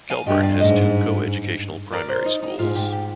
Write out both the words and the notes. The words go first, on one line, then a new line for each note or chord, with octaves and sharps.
Kelburn has two co-educational primary schools.
F5 G#5
G2 D#5 G5
D5 F5
G#2 C5 D#5
A#4 D5
C5
D#4
D#4
G#2 F4
G4
G4